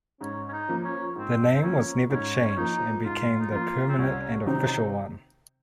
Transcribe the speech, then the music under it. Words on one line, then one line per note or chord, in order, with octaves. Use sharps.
The name was never changed, and became the permanent and official one.
G#2 C#4
C#4
D#4
F3 A#3
C#4
G#2 C4
C4
F3 A#3 C#4
G#2 C#4
C#4
F3 A#3 D#4
G#2 F4
D#4
F3 A#3 F4
C4
C2 C#4
C3 D#3 F#3 C4 D#4